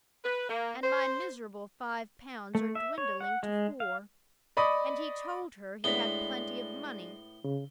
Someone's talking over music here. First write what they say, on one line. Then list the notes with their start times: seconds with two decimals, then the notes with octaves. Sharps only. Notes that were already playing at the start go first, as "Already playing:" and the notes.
And my miserable five pounds are dwindling to four! And he told her he had plenty of money!
0.25 B4
0.49 A#3
0.83 C5
2.55 A3
2.75 E5
2.98 C#5
3.20 F#5
3.43 G#3
3.80 F5
4.57 D5 D#5 B5 C#6 D#6
5.84 A2 G#3 B3 D4 B5 B6 G7
7.44 C#3